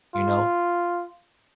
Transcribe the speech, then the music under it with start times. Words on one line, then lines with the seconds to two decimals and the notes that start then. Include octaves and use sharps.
You know?
0.15 F4